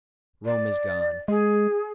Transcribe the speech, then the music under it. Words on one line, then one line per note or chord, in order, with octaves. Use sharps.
Rome is gone.
D5
G#3 G#4